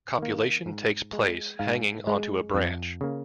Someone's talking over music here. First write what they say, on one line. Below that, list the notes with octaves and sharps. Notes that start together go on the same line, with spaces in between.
Copulation takes place hanging onto a branch.
D#3 A#3
G#2
G#3
G#2 F5
G#3
F2
C#3 A#3